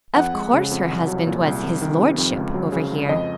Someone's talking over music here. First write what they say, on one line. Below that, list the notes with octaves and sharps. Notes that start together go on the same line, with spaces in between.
Of course her husband was "his lordship," over here.
F2 F#5
G#3
C#3
F2
C2
F#3
A#2
C2
F2
D#3
C3
F2
C#2
F#3
C#3
C#2
F2 D#5